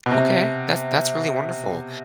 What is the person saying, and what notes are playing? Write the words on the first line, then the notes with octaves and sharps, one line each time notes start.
Okay. That's that's really wonderful,
B2
C3